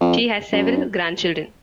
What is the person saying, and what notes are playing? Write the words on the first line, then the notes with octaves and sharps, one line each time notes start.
She has several grandchildren.
F2
F#2